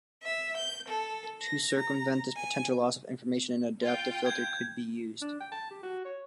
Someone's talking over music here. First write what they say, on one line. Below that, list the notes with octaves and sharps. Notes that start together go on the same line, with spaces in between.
To circumvent this potential loss of information, an adaptive filter could be used.
E5
G6
A4
A#6
A#5
G#5
F4 G5
G6 G#6
D4
G5
A5
G4
F#4
C#5